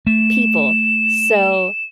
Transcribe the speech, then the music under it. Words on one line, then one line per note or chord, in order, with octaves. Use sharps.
people. So,
A3 E7